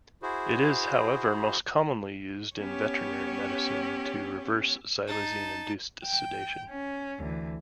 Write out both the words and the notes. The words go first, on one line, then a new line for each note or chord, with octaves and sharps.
It is however most commonly used in veterinary medicine, to reverse xylazine-induced sedation.
E4 F#4 G#4 C5
B3 C#4 G4 C#5
D#4 A5
G5
C#4
D2 E3